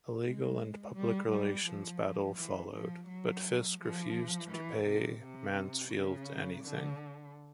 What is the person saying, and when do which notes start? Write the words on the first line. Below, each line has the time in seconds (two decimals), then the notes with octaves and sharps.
A legal and public relations battle followed, but Fisk refused to pay Mansfield anything.
0.22 G#3
0.94 G3
1.29 G3
1.65 F3
2.36 E3
2.72 F3
3.07 F#3
3.79 F3
4.50 E3
4.85 C3
5.21 C3
5.92 C#3
6.64 D3